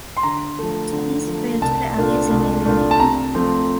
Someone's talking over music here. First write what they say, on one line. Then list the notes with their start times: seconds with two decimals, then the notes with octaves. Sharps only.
Tunis fell to the Allies in early May.
0.17 C6
0.23 D3 A#5
0.59 F3 A3
0.92 D3
1.27 F3 A3
1.62 C2 A5
1.97 A#2 A3 D4 F4
2.31 C2
2.65 A#2 A3 D4 F4
2.91 A5
3.00 C3 A#5
3.35 F3 A3 C4